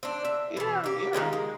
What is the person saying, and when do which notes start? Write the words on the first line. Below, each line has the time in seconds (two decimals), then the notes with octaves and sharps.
Yeah, yeah.
0.03 C4 D4
0.25 E5
0.57 B2 E3
0.84 A#3 G4
1.13 D#3 F3 G#3 A#3
1.33 G#3